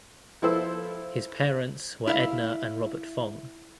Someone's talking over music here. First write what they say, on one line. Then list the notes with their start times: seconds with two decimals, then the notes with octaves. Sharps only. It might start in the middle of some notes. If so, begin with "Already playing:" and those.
His parents were Edna and Robert Fong.
0.42 F3 E4 F4 A4 C5 E6
2.07 E4 E5 F5